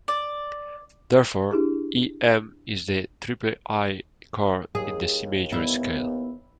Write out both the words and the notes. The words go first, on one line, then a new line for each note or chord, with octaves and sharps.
Therefore, Em is the iii chord in the C major scale.
D5
D4 E4 G4 G#4
D#2 G#4
B3 E4